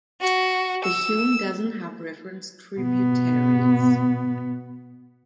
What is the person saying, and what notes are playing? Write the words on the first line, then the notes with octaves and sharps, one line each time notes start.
The Hume doesn’t have referenced tributaries.
F#4
E6
B2 B3